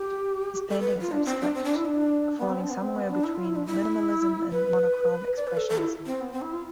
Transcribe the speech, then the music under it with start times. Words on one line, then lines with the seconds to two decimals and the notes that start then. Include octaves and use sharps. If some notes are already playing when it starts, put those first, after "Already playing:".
His painting is abstract, falling somewhere between minimalism and monochrome expressionism.
Already playing: G4
0.70 A4
0.80 B4
1.01 F4
1.12 D4
1.25 C4
1.41 D4
1.54 C4
1.64 D4
1.76 E4
1.85 D4
2.38 B3
2.49 C4
2.61 D4
2.70 B3
2.81 C4
2.95 B3
3.10 D4
3.24 E4
3.35 F4
3.45 E4
3.56 D4
3.66 E4
4.51 B4
5.37 D5
5.47 B4
5.57 A4
5.69 A4
5.78 E4
6.06 C4
6.21 B3
6.32 C4
6.42 E4
6.52 F4